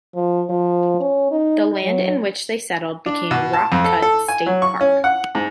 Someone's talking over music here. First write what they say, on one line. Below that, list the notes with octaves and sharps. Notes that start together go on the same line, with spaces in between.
The land in which they settled became Rock Cut State Park.
F3
F3
C#4
D#4
F#3
D4
B2
A5
F2
A4
A4
G#5
F#3
C#6
C#4
F#5
G#2